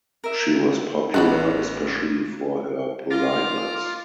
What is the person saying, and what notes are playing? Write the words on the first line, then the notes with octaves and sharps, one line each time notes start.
She was popular, especially for her politeness.
A#4 E5
A1 G#3 C#4 F#4 B5 F#6
F4 A#5 D6 F6